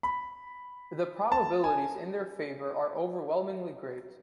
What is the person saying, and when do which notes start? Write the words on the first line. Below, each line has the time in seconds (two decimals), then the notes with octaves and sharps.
The probabilities in their favor are overwhelmingly great.
0.03 B5
1.32 A5
1.64 G#5